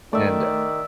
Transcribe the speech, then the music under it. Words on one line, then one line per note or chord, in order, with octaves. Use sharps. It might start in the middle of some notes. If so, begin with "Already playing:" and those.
and, uh
D#3 A3 D5 E5